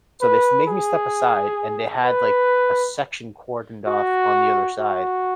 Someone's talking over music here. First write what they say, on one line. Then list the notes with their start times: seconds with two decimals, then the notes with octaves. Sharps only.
So they s made me step aside and they had, like, a section cordoned off on the other side
0.21 B4
0.68 G#4
2.05 B4
3.87 F#4
4.79 F#4